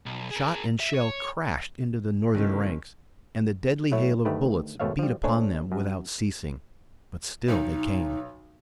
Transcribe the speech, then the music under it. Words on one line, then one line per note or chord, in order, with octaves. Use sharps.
Shot and shell crashed into the Northern ranks, and the deadly hail of bullets beat upon them without ceasing. But still they came.
B1
G#4 A#4
E5
C#5
F#1 C2 A2 D#3
F#3 A3 E4 C#5
D2 D#3 A3 G4 B4
G#1 B2 A3 C#5 E5 F5
F3 G3
A3 D4 C5 C#5 G#5
F#2
B1 D#4